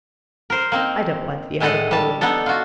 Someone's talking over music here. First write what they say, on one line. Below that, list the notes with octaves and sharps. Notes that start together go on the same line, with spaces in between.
I don't like the outer Cold.'
A#4 C5
A#3 C4 D#4
A2 G#3 E4 A4 D#5 F#5
G3 A5
B3 D4 D#4 A4
F4 F#4